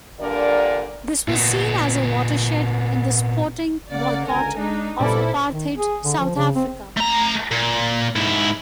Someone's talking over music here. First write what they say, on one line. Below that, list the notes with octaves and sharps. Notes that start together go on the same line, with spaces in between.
This was seen as a watershed in the sporting boycott of apartheid South Africa.
G2 A#2 D3 A#4 D5
A#2 B3
C#3 A#3 D5 F#5
C#2 D3 A#4 G#5
G#3 D4 D#4
G2 A#2 B3 C4 E4 A4 D5 F6
D#3
G#4
D3
F3
C#3
C4
A3 A#5
A#2
G#2 E4